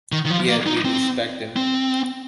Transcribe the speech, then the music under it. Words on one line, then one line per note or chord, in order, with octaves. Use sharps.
Yet we respect them.
D#3
D#3
F3
A#3
D#4
C4
C4